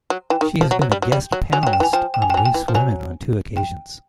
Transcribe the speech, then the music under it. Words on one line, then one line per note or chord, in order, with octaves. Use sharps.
She has been a guest panellist on "Loose Women" on two occasions.
F#3
E3 G5
D#3
F3
F#3
F#3
G3
F#3
G3
F#3
F#3 G#5
G5
F#3
G5
E3
G#5
F3 G5
G5
G#5
G5
F#3
G#5
G5
E3
F3
F#3 G#5
G5